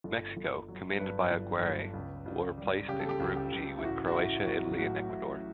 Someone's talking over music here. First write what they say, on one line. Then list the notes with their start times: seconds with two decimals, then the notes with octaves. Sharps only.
Mexico, commanded by Aguirre, were placed in Group G with Croatia, Italy, and Ecuador.
0.04 G1
0.37 G1
0.68 F#3
0.99 G2 B4
1.31 G1
1.62 G1
1.94 C#2
2.26 C#2
2.58 G3
2.88 C#3 G4
3.00 A4
3.09 G4
3.20 C#2
3.37 G4
3.52 C#2
3.78 E4
3.83 A1 F#4
4.07 F#4
4.15 A1 E4
4.46 F#3 F#4
4.78 A2 F#4
5.09 A1 E4